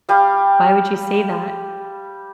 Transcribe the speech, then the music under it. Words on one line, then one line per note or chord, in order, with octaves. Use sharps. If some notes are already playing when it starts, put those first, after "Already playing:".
Why would you say that?"
G3 F5